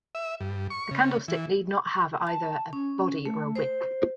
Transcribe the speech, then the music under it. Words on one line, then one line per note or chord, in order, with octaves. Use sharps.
A candlestick need not have either a body or a wick.
E5
G2
C#6
C#3
E3
A5
C#4
A3
C5